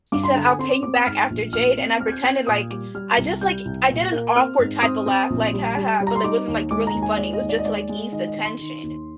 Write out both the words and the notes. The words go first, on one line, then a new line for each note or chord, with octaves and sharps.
She said, "I'll pay you back after Jade," and I pretended like I just, like I did an awkward type of laugh, like, "Haha," but it wasn't, like, really funny, it was just to, like, ease the tension
G2 D6
C6
D3 A#5
G#5
C4 C6
D6
C4 D6
D#6
G#2 F6
A#1
A#1 F6
C4
C4 F6
G#6
G6
C4 G#6
A#2 D#6
G3 D6
G3 F6
C2
G3 G6
C2
A#2
A#3
C4 F6
G#2
C4 D#6
C4
A#1
G3
G3
G3
A#5
C6
D#4 D6
D#2
G#3 D6
A#5
D#2
G#5
G#3 D5
D#5
D#2
D5
D#5
G#3 D5
G#3
D#3 D#5
D#5
D#3
C6
D#3
D#2